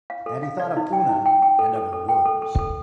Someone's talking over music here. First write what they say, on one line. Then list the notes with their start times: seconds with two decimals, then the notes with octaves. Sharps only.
And he thought of Oona, and of her words.
0.10 F5
0.26 A4
0.43 F5
0.60 D5
0.77 D#4
0.93 G5
1.09 D#4
1.26 G5
1.42 G5
1.59 A4
1.76 A4
1.93 A4
2.09 G5
2.25 A4
2.42 A4
2.59 A4